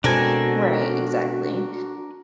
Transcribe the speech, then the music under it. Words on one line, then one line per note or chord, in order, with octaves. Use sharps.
Right, exactly.
B2 G#3 C4 D4 F#4 A4 A#4 G#5